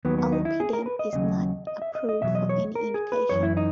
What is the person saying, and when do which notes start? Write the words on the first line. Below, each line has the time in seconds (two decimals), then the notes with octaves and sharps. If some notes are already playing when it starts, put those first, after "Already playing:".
Alpidem is not approved for any indication.
0.05 D#2 D#3 F#3 B3
0.18 B3
0.32 D#4
0.45 E4
0.60 G#4
0.73 A#4
0.86 B4
0.99 D#5
1.13 D#2 C#3 F#3 D#5
1.67 D#5
1.82 E5
1.95 D#5
2.09 D#5
2.22 E2 B2 F#3 E5
2.35 D#5
2.49 C#5
2.75 A#4
2.94 G#4
3.12 B4
3.29 F#2 E3 C#5
3.43 E4
3.57 D#4